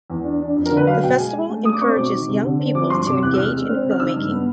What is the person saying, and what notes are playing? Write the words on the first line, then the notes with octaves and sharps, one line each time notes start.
The festival encourages young people to engage in filmmaking.
E2
D4
D4
F2
A#4
D3
B4
F#3 F5
B2 G5
G#3 G#5
G#3
A3
A3 D#6
D6
C4 C#6
B2 D6
D#3
C3
D3
C4
F3 D6
G2 C6
C3 D6
E2 F#6
E6
C3 F6
G#3
C4
C#3
F6
D#3 E6
G2
B3